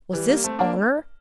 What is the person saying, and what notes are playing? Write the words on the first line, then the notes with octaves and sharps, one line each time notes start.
Was this honor?
E3 G3
G3 A#3
A3 C4
A#3 D4